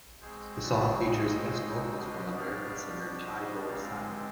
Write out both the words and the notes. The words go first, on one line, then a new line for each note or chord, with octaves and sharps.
The song features guest vocals from American singer Ty Dolla Sign.
B2 G#3 C4 D#4 G#4 C5
B4 D5
C5 D#5
B2 G3 D4 C5 D#5
D5 F5
C5 D#5
D3 G#3 C4 D#4 D5 F5